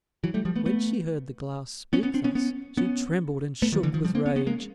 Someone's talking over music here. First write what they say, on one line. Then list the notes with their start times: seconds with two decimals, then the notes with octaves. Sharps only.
When she heard the Glass speak thus she trembled and shook with rage.
0.24 E3 F#3
0.34 G3 A3
0.45 F3 G3
0.56 A3 B3
0.66 A3 B3
1.93 B3 C#4
2.03 B3 C#4
2.14 C4 D4
2.24 B3 C#4
2.35 B3 C#4
2.77 B3 C#4
3.62 A3 B3
3.72 D#3 F3
3.83 D3 E3
3.94 D#3 F3
4.05 F3 G3
4.15 A#3 C4
4.26 B3 C#4
4.36 B3 C#4
4.47 G#3 A#3